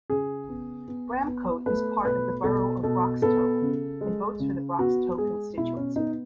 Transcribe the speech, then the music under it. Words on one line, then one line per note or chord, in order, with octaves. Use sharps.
Bramcote is part of the Borough of Broxtowe, and votes for the Broxtowe constituency.
C#3 G#4
B3
B3
B3
A3 B4
B2 B4
B2 A4
B2 A4
B3 A4
C#3
G#3
C#3
B3 F#4
G#3 G#4
B2 E4
C#4
B3 D#4